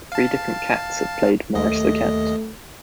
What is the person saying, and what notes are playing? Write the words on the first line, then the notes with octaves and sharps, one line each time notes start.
Three different cats have played Morris the Cat.
F5 A5
D#2 A3 D#5